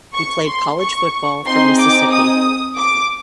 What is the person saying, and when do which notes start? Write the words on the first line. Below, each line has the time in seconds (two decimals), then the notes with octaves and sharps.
He played college football for Mississippi.
0.14 C#6
0.47 C6
0.80 C#6
1.46 C4 D#4 G#4 C6
1.78 D6
2.11 D#6
2.77 D6